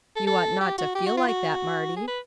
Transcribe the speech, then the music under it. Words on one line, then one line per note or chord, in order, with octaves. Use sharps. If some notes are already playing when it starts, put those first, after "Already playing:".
"You ought not to feel like that, Marty."
A4
A4
G4
F#4
G4
F#4
F4
F#4
G#4
B4